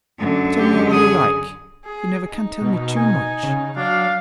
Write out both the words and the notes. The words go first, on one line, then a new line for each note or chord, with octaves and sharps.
Tell me all you like; you never can tell me too much.
F#2 D3
G4
G#4 D#6
G#4
D#4
B2
G#5
C#3
F#3 D4 F5